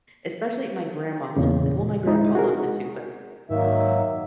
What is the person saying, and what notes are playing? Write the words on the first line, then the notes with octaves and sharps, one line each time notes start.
Especially my grandma loves it well, my grandpa loves it too, but
E2 A#2 C#3
G#3 D#4 E4
F#4 G#4 A#4
G#2 D#3 F#3 A#3 E5